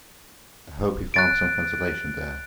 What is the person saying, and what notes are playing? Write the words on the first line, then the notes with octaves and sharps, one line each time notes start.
I hope he found some consolation there.
F#6 A6 D7